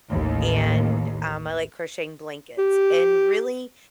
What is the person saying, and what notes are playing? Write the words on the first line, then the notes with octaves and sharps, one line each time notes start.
and, um, I like crocheting blankets. And, really,
A1 D#2
G4